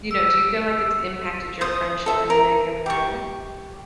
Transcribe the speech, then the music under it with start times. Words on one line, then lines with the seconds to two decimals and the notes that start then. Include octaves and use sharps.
you know, do you feel like it's impacted your friendship in a negative way?
0.11 E6
1.61 C5 D#6
2.06 A4 E5
2.30 A#4
2.86 G4 C#6